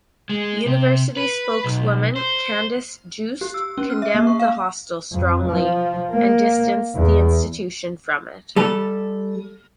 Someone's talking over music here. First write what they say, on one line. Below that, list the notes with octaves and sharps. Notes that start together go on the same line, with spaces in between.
University spokeswoman Candice Jooste condemned the hostel "strongly" and distanced the institution from it.
G#3
C3
B4
B1
C5
G4
E6
C#4
F6
E5
A#3
C#6
F5
F2
F3
A#3
E2
G3 A4